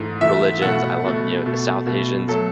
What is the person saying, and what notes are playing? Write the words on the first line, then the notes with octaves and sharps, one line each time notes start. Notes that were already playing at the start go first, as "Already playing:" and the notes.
religions, I love, you know, the South Asians,
Already playing: G#2 E3 A3
G#2 E3 A3 E5
B2 A3 F#5
B2 A3
B2 A3
B2 A3
F#3 A3 A4